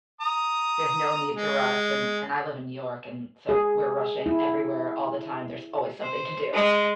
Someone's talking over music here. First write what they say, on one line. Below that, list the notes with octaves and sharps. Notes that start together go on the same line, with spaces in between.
There's no need to rush, and and I live in New York, and so we're rushing everywhere all the time, there's always something to do,
A#5 D#6
G#3
G#4
E4
C5
G#3